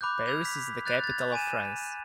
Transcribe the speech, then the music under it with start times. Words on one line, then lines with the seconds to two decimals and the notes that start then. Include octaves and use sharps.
Paris is the capital of France.
0.01 B5 D6 F#6 G6
0.26 E6 G6 G#6 F7
0.45 B6
0.86 F#6 G6 A6 F7
1.04 G#6 A6
1.32 G#5 A6 D#7 E7